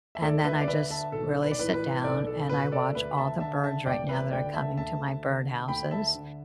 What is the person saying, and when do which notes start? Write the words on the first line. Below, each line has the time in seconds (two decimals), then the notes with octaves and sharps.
and then I just really sit down, and I watch all the birds right now that are coming to my birdhouses,
0.15 E5
0.21 D2 A4 D5
0.44 B4 E5
0.61 D5
0.68 D3 B4 E5
0.90 E5 A5
1.12 B1 A4
1.43 B4
1.51 D5
1.59 A2 E3 B4
1.74 B4
2.04 B1 A4 D5
2.27 A4
2.49 B2 B4
2.72 A4 D5
2.95 D2 B4 E5
3.13 B5
3.17 E5 A5
3.40 D3 E5 A5
3.64 E5 A5
3.86 E1 D5 G5
4.09 B4 E5
4.31 D2 D3 D5 G5
4.54 E5 A5
4.77 D2 E5 A5
5.23 D3
5.68 D2 G5 B5
5.91 E5 A5
6.15 D3